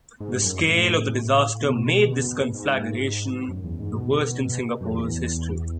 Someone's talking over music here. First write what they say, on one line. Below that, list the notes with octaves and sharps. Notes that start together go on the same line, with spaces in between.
The scale of the disaster made this conflagration the worst in Singapore's history.
G#2
F#2
A2
B2
G#2
F#2
E2
G#2
B2
F#2
E2